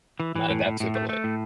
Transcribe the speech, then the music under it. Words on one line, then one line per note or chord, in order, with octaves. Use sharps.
Not adapt to, but like
E3
E3
A2
A2
A2
A3
A3
A2